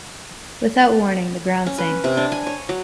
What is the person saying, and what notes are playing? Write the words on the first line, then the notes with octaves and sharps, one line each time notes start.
Without warning, the ground sank.
C#4
B4
C3
D4
G#5
C#5
F#3